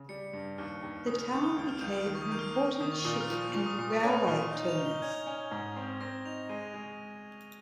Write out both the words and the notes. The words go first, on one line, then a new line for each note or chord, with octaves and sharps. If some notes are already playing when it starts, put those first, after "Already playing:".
The town became an important ship and railway terminus.
Already playing: C#3
G3 C#7
G2
D#2 F6
D#2
C#3 D#6
F6
D#2 G6
F6
C#2 D#6
F6
C#2 G6
F6
D#3 D#6
C#6
D#6
A#3 G6
F6
A#3 F6
D#6
D#3 D#6
C#6
A#2 D#6
F6
F3
D#6
A#2 C#6
D#6
A#2 D#6
C#6
C#4 D#6
A#2 F6
D#4 G6
F7
D#4
G7
C#4 G#6
C#4
G#2
C4
C4 A#6
D#4 F7
G#3 D#7
G#3